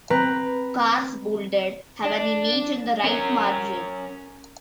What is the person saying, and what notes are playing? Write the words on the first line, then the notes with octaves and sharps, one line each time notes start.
Cars bolded have an image in the right margin.
C4 B4 A#5
D4
C#4 A#4